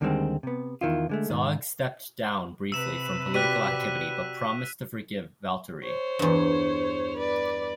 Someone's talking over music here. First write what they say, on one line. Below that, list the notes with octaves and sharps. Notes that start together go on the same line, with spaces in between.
Zog stepped down briefly from political activity, but promised to forgive Valteri.
D#2 D3 D#3 G3 G#3 C4
C3 B3
E2 D#3 E4 F4
D3 G#3 A3
G#2 D#3
C3 B4 E6 E7
F#4 G4 D5 F#6 B6 D#7
C5 C#5
E2 G2
B4 D5